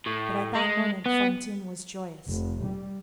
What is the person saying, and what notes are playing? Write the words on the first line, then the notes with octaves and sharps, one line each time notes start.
But at that moment Fantine was joyous.
A2
G#3
B3
F1
G3